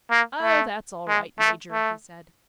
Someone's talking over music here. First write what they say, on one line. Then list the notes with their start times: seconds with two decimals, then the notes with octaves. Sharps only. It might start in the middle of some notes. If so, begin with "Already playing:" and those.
"Oh, that's all right, Major," he said.
0.11 A#3
0.43 A3
1.08 G#3
1.40 A3
1.72 A3